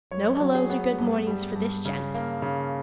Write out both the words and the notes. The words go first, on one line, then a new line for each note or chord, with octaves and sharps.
No hellos or good mornings for this gent!
F#2 C#5
F#3
G#4
B3
G2
G3
G2
C#3
A#3
C#3